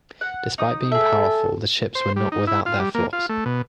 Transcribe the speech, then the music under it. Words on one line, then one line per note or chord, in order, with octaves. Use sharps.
Despite being powerful the ships were not without their flaws.
F#5
D#4 D#6
G#4 A4 E5
C5
G3
D#4
E4
F4
G3
A#3
F4
A3
B2